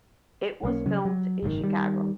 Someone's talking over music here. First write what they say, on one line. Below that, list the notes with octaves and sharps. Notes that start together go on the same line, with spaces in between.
It was filmed in Chicago.
B1 A#3 C#4
C#3 F#3 C#4
F#3
F#1 G#2 C3 D#3
D#3 G3